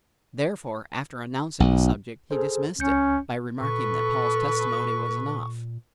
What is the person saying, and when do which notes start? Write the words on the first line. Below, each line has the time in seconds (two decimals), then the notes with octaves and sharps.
Therefore, after announcing the subject, he dismissed it, by remarking that Paul's testimony was enough.
1.60 B1
2.31 G#4 A4 C5
2.79 C#2 C#4 G6 C#7
3.61 A#2 A4 B4 C#6